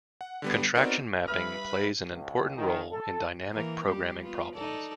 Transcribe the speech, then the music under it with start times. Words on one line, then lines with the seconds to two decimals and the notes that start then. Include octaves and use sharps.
Contraction mapping plays an important role in dynamic programming problems.
0.21 F#5
0.42 D3 G3 B3
0.75 B3 C4 D#4 F#4 A#4 D5
1.28 G2 B4 E5 B5 D#6 F6
2.11 C#2
2.56 D#3
2.91 A4
3.53 E3 A#3 A#4
3.85 G3 G4
4.23 B3 F4
4.55 D#4 A4 D5